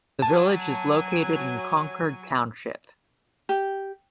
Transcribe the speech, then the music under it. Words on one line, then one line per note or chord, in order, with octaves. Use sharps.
The village is located in Concord Township.
F#3 G#5 A5
G4